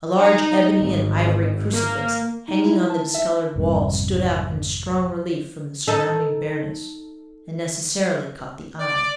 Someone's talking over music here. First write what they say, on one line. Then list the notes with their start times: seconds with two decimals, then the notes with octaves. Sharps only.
A large ebony and ivory crucifix hanging on the discolored wall stood out in strong relief from the surrounding bareness, and necessarily caught the eye.
0.17 D#4
0.78 G#1
1.71 A#3
2.48 D#4
2.65 E4
2.90 A5
3.14 E5
3.56 G#1 F2 C3 G3
5.88 D#4 A4
8.79 D5